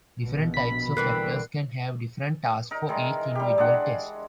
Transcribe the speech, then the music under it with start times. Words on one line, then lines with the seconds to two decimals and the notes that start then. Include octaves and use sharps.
Different types of actors can have different tasks for each individual test.
0.21 A#1 B2
0.54 B5 B6
0.97 D3 E3 G3 A#4 F#6 C7
2.71 D#4 A#4
2.89 D#3 E3 G#3
3.35 G3 G4
3.58 G#3 D4 F#5